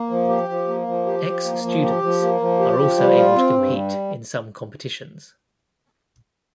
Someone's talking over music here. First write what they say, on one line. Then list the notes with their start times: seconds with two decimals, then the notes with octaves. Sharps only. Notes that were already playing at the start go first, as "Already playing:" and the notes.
Ex Students are also able to compete in some competitions.
Already playing: A#3
0.10 F3
0.29 G4
0.48 F3
0.68 A#3
0.87 F3
1.06 G4
1.26 F3
1.44 A#3
1.64 F3
1.83 G4
2.02 F3
2.21 A#3
2.40 F3
2.59 G4
2.79 F3
2.98 G3
3.17 F4
3.36 C4
3.55 G2
3.75 G3